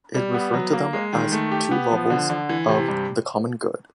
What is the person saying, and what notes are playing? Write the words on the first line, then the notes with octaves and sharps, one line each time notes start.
It referred to them as "two levels" of the common good.
G3
B3
F#3
A#3
G#3
D#3
A3
G4
B3
F3
D3
D3
E3
C3
G2